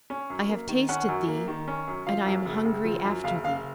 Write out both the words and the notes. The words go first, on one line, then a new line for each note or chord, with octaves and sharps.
I have tasted Thee, and I am hungry after Thee.
C#4
F#2
A#3
D#3
C#4 F#5
F#2
A#3
D#3
C#4
F#2
F3 F5
F#2
F#1
F#1
F3
F#2
F#1 F5
F#1 F5